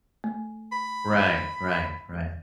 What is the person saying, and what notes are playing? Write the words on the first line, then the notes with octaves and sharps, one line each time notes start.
Right, right, right.
A3
B5